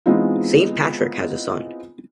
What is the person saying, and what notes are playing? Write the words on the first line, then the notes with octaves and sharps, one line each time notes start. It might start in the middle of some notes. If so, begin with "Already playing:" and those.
Saint Patrick has a son.
E3 G#3 B3 C4 D#4 F4